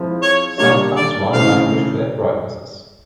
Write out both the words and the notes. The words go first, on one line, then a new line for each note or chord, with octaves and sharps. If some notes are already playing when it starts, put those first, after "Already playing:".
Sometimes one might wish to add brightnesses.
Already playing: F3 G#3 C4 E4
C#5
A#2 G3 A#3 D4 C#5
D5
C#3 E3 A3 C4 F5